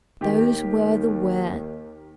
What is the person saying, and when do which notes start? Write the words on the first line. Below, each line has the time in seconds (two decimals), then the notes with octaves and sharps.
Those were the words!
0.21 D#2 D#3 G4